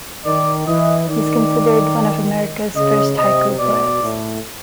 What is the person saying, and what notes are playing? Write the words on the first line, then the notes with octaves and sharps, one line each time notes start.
He is considered one of America's first haiku poets.
D#3 D5
E3 D#5
D#3 D5
C#3 D#5
C3 D#5
B2 D5
A2